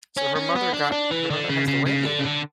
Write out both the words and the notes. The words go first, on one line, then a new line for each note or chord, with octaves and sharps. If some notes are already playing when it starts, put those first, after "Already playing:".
So, her mother got her mother has the way.
C#4
C#4
B3
D4
D4
E3
D3
C#3
C#3
C#3
D3
C#3
D3